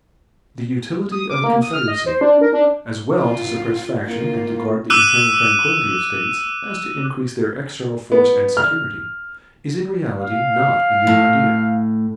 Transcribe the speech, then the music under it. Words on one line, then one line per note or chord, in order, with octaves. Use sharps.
The utility of a Confederacy, as well to suppress faction and to guard the internal tranquillity of States, as to increase their external force and security, is in reality not a new idea.
D#6
D6
A#3
D#6
F6
D#5
C5
D4
A#4
D4
F4
A#3 F4
D6 E6 F#6 D#7
B3
F6
F5
A2